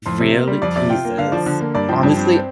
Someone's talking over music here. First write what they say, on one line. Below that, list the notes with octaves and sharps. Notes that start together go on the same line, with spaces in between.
Really? Jesus. Honestly
F2 C6
C3
A#3
G3
F2 D5
C3 D5
F4 G5
A#3
D3 F5
F3 D5
D3
A#3
G2 D5
F3 G5
G2
C4